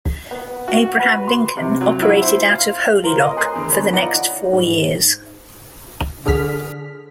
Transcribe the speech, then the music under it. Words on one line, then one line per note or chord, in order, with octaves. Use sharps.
"Abraham Lincoln" operated out of Holy Loch for the next four years.
B3
F#4
B4
C6
C3
F#3
E4
C5
F5
F4 A#4 C5 C6
A#4 B4 C#5 D#5 D#6
G#5 A#5 C6 D#6 F#6 C7
E2 D3 A#4
B4 C#5 B5
D#4 F4 D5 D#5 F#5 A#5
G#2
D3 G#4 F6 B6